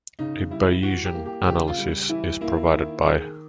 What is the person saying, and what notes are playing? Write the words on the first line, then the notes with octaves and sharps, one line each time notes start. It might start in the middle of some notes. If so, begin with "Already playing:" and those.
A Bayesian analysis is provided by.
C#3 D#4
G3 E4
E3 F#4
G4
A#3
G4
C#3 G4
F4
G3
E3 E4
A#3 E4
D#3 E4
D#3 G#4